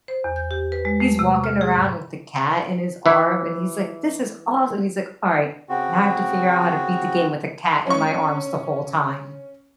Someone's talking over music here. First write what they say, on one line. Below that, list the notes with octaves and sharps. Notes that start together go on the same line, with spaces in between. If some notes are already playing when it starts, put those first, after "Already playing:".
he's walking around with the cat in his arm, and he's, like, "This is awesome." He's, like, "All right, now I have to figure out how to beat the game with a cat in my arms the whole time."
C5
E2
G6
G4
B4
G#3
A3
C3
F6
G#4
G#2
E3 E4
C#3 C4 F#4
C#4 C#6